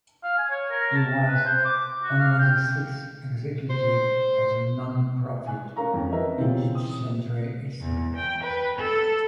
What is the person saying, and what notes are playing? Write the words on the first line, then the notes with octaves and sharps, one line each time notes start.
He was only the sixth executive of the nonprofit in its century history.
F5
G#5
C#5
A#4
A5
B4
C5
D6
F#4
F5
G5
C5
G#5 F#6
C#4 A#4 F5 A#5 C#6
F2 C#4
A#4 B4 D#5 E5 A#5
C#3 E3 C4 F4 G4
D#6
E2
G5
B4
A4